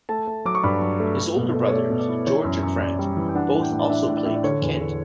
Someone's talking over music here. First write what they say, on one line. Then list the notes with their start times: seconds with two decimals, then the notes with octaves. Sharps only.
His older brothers, George and Frank, both also played for Kent.
0.09 A3 A5
0.27 A3
0.45 F#3 D6
0.55 C#6
0.63 G2 B5
0.82 F#3
1.00 A3
1.18 A3
1.36 B2
1.54 A3
1.68 C#5
1.72 A3 D5
1.90 B2
1.99 D5
2.09 E4
2.27 E3 C#5
2.44 F#2
2.63 F#2
2.80 F#2 D5
2.99 G3
3.17 E3
3.29 G5
3.35 D4 F#5
3.53 A2
3.62 G5
3.72 A2
3.79 D5
3.89 D4 E5
4.08 A2
4.17 D5
4.26 A2 E5
4.35 D5
4.44 D3 C#5
4.62 E2
4.81 D3